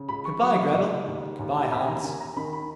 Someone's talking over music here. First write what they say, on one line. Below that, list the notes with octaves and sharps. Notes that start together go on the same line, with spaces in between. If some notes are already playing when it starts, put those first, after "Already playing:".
'Goodbye, Gretel.' 'Goodbye, Hans.'
Already playing: C#3
C#2 B5
C#6
F#3 C#6
C#2
D#2
D#2
D#2 B5
G#5
A#5
D#3 G#5
A#5
D#3 B5
B5